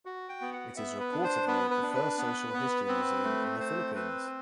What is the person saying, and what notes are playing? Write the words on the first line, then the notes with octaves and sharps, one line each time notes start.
It is reportedly the first social history museum in the Philippines.
F#4
G5
B3
F#5
B3 E5
B4
D4
C5
B3 B4
B4
D4
B4
B3
B3
C4
A3
C4 C5
C4 B4